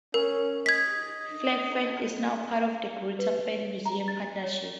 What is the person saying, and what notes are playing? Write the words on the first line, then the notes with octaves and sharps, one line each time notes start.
Flag Fen is now part of the Greater Fens Museum Partnership.
C#4 A#4
D#5 G#6 B6
B4
A#5
A6
C#5